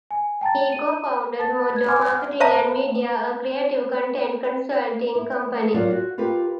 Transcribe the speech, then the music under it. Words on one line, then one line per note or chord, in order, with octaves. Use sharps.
He co-founded MoJo Marketing and Media, a creative content consulting company.
G#5
G5 A5 A#5 A6
D#7
A5 A6
G#6
F#5 G#5 C6 D6 F6 G#6
C5 E5 F5 A5 A#5
E4
F#3 F4 A#4 D5
F#4
F4 G4 A#4 B4